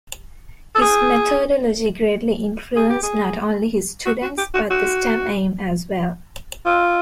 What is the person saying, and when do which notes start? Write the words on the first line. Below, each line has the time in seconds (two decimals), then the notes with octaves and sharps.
His methodology greatly influenced not only his students, but the stammaim, as well.
0.75 A4
0.81 G#4
2.76 G#4
2.90 G4
3.03 G#4
4.06 F#4
4.22 F#4
4.38 G4
4.54 F#4
4.70 F#4
6.65 F4